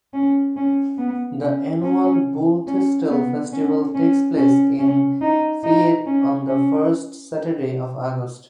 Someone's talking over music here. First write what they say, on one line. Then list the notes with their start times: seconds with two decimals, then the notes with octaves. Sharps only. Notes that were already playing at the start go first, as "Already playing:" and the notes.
The annual Bullthistle Festival takes place in Fayette on the first Saturday of August.
0.14 C#4
0.57 C#4
0.98 B3
1.41 C#4
1.83 C#4
2.67 C#4
3.10 B3
3.53 C#4
3.95 C#4
4.37 C#4
4.79 C#4
5.22 D#4
5.64 D#4
6.06 C#4
6.48 C#4